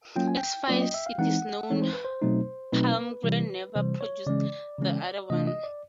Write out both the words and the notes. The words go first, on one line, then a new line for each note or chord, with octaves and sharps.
As far as it is known, Palmgren never produced the other one.
F#3 A#3 C#4 F4 G5
G#5
G5
F#3 A#3 C#4 F4 D5
D#5
E5
F5
E3 G#3 C4 D#4 F#5
E3 G#3 C4 D#4 C#5
C5
B4
C5
B2 F#3 A3 C4 D#4
B2 F#3 A3 C4 D#4 B4
C3 E3 G3
C3 E3 G3 C5
C#5
C#3 E3 G#3 C#4 D5
C#3 E3 G#3 C#4
C3 E3 A3 D4 F4 D#5
D#5
D5